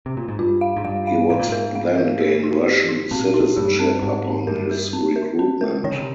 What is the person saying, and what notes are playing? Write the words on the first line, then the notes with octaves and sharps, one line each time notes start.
He would then gain Russian citizenship upon his recruitment.
C3
A#2
G#2
G2 F4
F5
G#2
G2 F5
F5
G#2 F5
A#2
G#2 A#4
F5
A#4
G4
D#4
G4
D#4
A#2 C4
D#4
G2 G4
C4
G#2 C4
C4
G2 A#4
A#4
C4
A#4
C4
A#4
D#3 C#5
C#3
C3